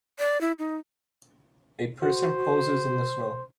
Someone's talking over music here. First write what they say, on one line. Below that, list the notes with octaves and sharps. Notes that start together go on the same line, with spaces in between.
A person poses in the snow.
D5
E4
D#4
F#4 C5